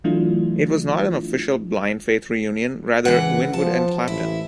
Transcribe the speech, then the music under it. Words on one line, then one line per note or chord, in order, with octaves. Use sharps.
It was not an official Blind Faith reunion; rather "Winwood and Clapton".
E3 F#3 A3 D4 E4 F4
C#2 E3 F#5
F3 A5
A1 E4